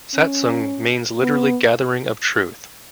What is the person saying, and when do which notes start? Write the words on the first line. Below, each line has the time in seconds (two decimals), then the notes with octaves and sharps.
Satsang means literally gathering of Truth.
0.15 C#4
1.21 B3